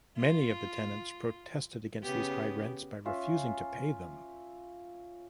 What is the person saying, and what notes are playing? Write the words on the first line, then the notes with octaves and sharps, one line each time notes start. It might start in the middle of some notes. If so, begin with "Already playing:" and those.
Many of the tenants protested against these high rents by refusing to pay them.
F4
C#3 B3 G4
C#4 F4 E5 F#5